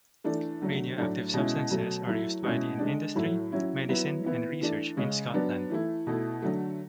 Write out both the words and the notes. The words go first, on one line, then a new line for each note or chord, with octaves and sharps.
Radioactive substances are used widely in industry, medicine and research in Scotland.
E3 A3 D4
D3 F#3 A3
A2 F#3 A3 D4
B2 G#3 C#4 E4
B2 F#3 A3
F#3 A3 E4
B2 G#3 C#4 E4
D3 G#3 D4
A2 F#3 A3 E4
F#3 C#4 E4
F#3 B3 E4
E3 B3 E4
E3 A3 D4
C#3 G#3 C#4
F#3 B3 D4
E3 A3 E4
B2 A3 E4
D3 F#3 A3